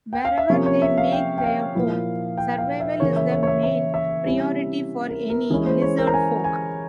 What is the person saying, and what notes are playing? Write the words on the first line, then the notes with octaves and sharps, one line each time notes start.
Wherever they make their home, survival is the main priority for any lizardfolk.
G5
F5
E5
C3 F3 A#3 C#4 C#5
C#5
E5
F5
G5
G5
F5
A#2 F3 A#3 E4
G5
F5
E5
C#3 E3 A#3 C#5
E5
C#5
C#5
E5
E5
E5
C3 G3 C#4 E4
A#4
A#4
E3 G#3 C#4 E4 G#4
C5
C#5
A#4
A#5
G#5
G#5